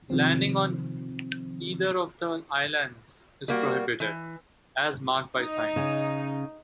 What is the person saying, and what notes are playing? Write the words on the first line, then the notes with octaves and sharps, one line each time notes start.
Landing on either of the islands is prohibited, as marked by signs.
C3 D#3 F3 C4
G3 A#3 F#4
E3
D#4
C#3